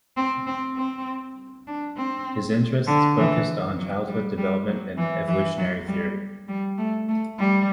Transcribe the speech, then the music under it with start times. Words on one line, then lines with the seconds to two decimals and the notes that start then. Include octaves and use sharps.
His interests focused on childhood development and evolutionary theory.
0.17 C4
0.47 C4
0.77 C4
1.67 D4
1.97 C4
2.88 D3
3.18 E3
3.78 F#3
4.08 G3
4.38 G3
4.68 F#3
4.98 E3
5.28 E3
5.58 F#3
5.88 G3
6.48 G3
6.79 A3
7.08 A3
7.39 G3